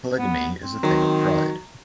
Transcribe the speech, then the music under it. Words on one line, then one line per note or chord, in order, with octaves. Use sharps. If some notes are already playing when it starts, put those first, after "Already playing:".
Polygamy is a thing of pride.
B3
C4
D#3 F#3